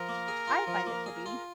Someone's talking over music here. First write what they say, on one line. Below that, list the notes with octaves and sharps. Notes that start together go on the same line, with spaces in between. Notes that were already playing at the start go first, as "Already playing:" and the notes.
I find it to be.
Already playing: F3 A#4
A#3
G#4
F4
F3
A#3
G#4
F4